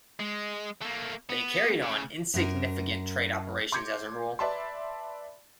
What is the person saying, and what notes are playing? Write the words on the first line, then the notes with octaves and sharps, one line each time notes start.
They carried on insignificant trade operations as a rule.
G#3
A3 A#3
B3
C#3
F#2 A#4
C6 D6 G6 G#6 C#7
B4 D5 E5 A5 B5 C6